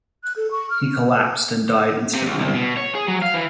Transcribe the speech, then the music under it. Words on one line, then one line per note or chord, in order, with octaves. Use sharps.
He collapsed and died instantly.
F#6
A4
C#6
F6
C3
C#2
C2
B2
C#5
G#4
F#3
F5
E3